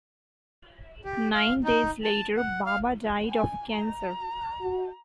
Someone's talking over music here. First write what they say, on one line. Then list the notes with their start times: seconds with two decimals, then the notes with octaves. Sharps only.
Nine days later, Baba died of cancer.
1.05 G4
1.34 F5
1.64 D#4
2.04 A5
2.37 F#5
2.66 F5
3.29 G#5
3.71 A#5
4.61 F#4